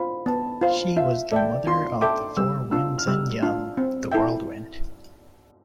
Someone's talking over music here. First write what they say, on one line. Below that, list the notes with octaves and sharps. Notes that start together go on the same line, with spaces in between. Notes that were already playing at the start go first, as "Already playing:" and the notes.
She was the mother of the Four Winds and Yum, the whirlwind.
Already playing: F4 C5 B5
B3 A5
F4 C5 F5
F4 E5
A4 D5 E5 G5
F4 C6
A4 E5 G5 D6
G3 E6
D4 F4 E6
F6
G3 E6
D4 F4 F6
C4
E4 A4 E5 G5